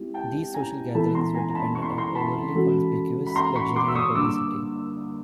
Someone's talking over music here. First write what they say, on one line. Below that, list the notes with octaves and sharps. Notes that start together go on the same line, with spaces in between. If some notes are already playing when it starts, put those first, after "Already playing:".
These social gatherings were dependent on overly conspicuous luxury and publicity.
Already playing: G#3 C4 E4 G4
G5 A5
G#5 A#5
E3 G#3 B3 E4 A4 A5 B5
A#5 C6
G#5 A#5
A#5
A5 B5
C#6
C6
B5
A#5 C6
A5 B5
E3 G#3 C#4 F#4 A4
B5
A#5 C6
B5 C#6
C6 D6
E6
C#6 D#6
D3 G3 A#3 D4 D6 E6